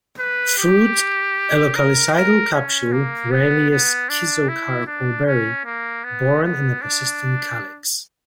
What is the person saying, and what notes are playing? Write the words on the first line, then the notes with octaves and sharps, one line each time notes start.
Fruit a loculicidal capsule, rarely a schizocarp or berry; borne in a persistent calyx.
B4
G4
A#4
A#4
C#4
A#3
B3
B3
D4
E4
D4
C#4
A#3
B3
B3
D4